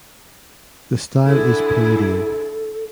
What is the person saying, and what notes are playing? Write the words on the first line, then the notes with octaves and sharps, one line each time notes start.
The style is Palladian.
D3 E4 G#4 A4